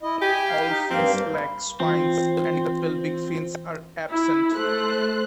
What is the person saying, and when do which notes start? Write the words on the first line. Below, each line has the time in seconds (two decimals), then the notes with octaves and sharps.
All fins lack spines, and the pelvic fins are absent.
0.03 E4 D#5
0.22 G4 G#5
0.49 F5
0.68 D#4
0.91 G2 A#3 C4 F5
1.34 B5
1.80 E3 C4 F4
4.10 E4
4.55 A3 C5 F#6